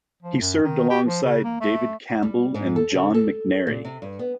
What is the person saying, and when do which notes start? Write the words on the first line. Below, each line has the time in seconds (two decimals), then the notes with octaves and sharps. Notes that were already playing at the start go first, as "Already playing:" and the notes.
He served alongside David Campbell and John McNairy.
0.22 F3
0.40 F#2
0.63 D#3
0.90 G4
1.07 F3
1.23 C#3
1.44 A#3
1.61 A3
2.23 G3
2.54 G#2
2.76 A4
2.94 C#3
3.14 A4
3.67 A#2
3.85 C3
4.02 G2
4.19 B3